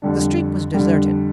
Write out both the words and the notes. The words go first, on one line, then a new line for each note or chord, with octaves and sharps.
The street was deserted.
F2 D3 G3 D4
F2 D3 G3 D4